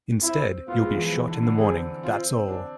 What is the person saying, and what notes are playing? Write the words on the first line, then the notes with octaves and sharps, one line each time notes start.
Instead, you'll be shot in the morning, that's all!.
C4 E4
B3 F4
G#3
E3
F3
E3
D3
D3
C4 G#4
C4 F4
D4